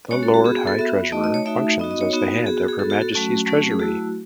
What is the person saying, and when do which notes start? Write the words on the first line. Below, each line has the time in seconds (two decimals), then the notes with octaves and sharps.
The Lord High Treasurer functions as the head of Her Majesty's Treasury.
0.11 G#3 C#4 F#4 C#5
0.23 A4
0.34 F#4
0.44 B3 F#4 G#4
0.56 G#4
0.67 A4
0.78 B3 F#4 E5
1.12 A3 D#4 F#4 D#5
1.24 D#5
1.34 C#5
1.45 A3 D#4 F#4 E5
1.79 B3 D#4 F#4 D#5
1.91 D#5
2.01 C#5
2.13 B3 D#4 F#4
2.46 B3 F#4 G#4
2.57 F#4
2.68 G#4
2.79 B3 F#4 A4
2.90 F#4
3.02 A4
3.12 F#3 A3 C#4 F#4
3.46 F#3 A3 C#4 F#4
3.71 G#4
3.79 F#3 A3 E4 F#4